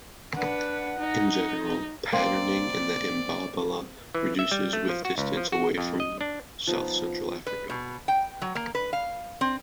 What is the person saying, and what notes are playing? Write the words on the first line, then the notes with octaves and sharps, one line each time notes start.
In general, patterning in the imbabala reduces with distance away from south-central Africa.
D4 B4 F#5
D#4
A#3 C4 D5
E3
E5
G3
A3
F3
F#4
C#2
F3
F#4
F2
D#5
D4
F3 B3 D#4
B4
B2
G5
F#3
A#3
B4
F5
C4